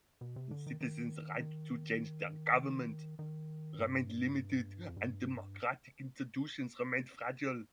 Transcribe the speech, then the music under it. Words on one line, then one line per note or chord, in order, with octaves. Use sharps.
Citizens' right to change their government remained limited and democratic institutions remained fragile.
B2
C3
D3
D#3
D#3
D#3
D#3
G2
F2
G2